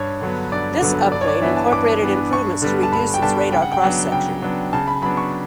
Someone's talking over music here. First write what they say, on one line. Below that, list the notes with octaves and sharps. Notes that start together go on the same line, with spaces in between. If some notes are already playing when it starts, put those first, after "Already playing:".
This upgrade incorporated improvements to reduce its radar cross-section.
Already playing: G2 C#5
D3 F#3 B3
G2 D5
D3 F#3 B3
G2 D5
C#5
D5
E3 B3 D4 E5
A5
G2 D6
E3 B3 D4
G2 C#6
D3 G3 B3 D4
A5
G2 B5
G5
D3 G3 B3 D4 A5
C#3 G5
F#5
G5
F#3 B3 D4
C#3 G5
F#3 B3 D4
C#3 A5
B5
F#3 B3 D4 B5
C#6